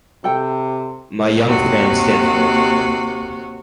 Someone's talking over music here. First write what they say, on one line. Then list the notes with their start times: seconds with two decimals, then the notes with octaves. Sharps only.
My young friend, stand forth!
0.24 C3 A4 G5
1.45 D#2 C3 F#4